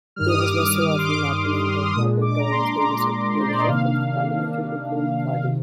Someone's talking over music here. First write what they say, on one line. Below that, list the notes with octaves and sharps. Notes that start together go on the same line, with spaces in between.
Davis was often an opponent of Robert Doyle's leadership of the parliamentary Liberal Party.
G2 D#3 G3 F6
D#6
D6
D#6
D6
C6
D6
A#2 G#3 D4 D#6
D6
A#5
C6
A#5
C5
D5
D#5
C3 D#3 A#3 D4 F5
C3 D#3